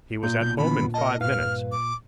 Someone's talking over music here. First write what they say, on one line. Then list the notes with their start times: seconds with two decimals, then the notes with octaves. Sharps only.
He was at home in five minutes.
0.23 A#2 G6
0.41 B1 G6
0.58 D3 D#3 B3 B5
0.94 A#4 D#5 A5
1.21 G2 B4 F5 F6
1.72 D6